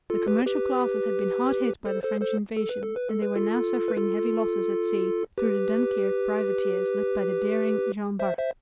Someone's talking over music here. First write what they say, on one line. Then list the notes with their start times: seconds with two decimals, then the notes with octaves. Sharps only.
The commercial classes had been hard hit by the French invasion, and they were now suffering heavy losses at sea through the Dunkirk privateers led by the daring Jean Bart.
0.10 F4 A4
0.27 G4 B4
0.45 G4 B4
1.85 A4 C5
2.04 A4 C5
2.21 A4 C5
2.57 A4
2.69 B4
2.83 A4
2.96 B4
3.09 A4
3.22 B4
3.36 F4 A4
3.88 B4
3.97 F4 A4
5.38 G4 B4
8.19 C5 E5
8.38 C5 E5